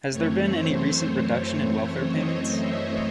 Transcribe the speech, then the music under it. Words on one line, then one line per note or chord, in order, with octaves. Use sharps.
Has there been any recent reduction in welfare payments?
F#2 E3 A3 C4 C#5
C5
C#5
D#5
E5